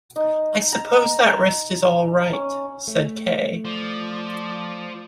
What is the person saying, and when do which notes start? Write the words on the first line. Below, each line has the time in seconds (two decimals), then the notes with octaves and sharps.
"I suppose that wrist is all right," said K..
0.16 D#4
0.72 A#5
2.33 C#4
2.88 A3
3.65 F3 D5